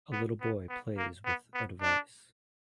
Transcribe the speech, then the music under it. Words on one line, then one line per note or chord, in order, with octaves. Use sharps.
A little boy plays with a device.
B3
B3
B3
A#3
B3
B3
D4